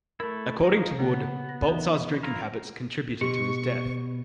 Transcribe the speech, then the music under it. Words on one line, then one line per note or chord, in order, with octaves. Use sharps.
According to Wood, Baltzar's drinking habits contributed to his death.
A3 E4 A#4 B5
F3 D#4
C#3 A#3 B3
A#6
E3 D#4
E4 F4 A#4
B2 G4 C#6 C#7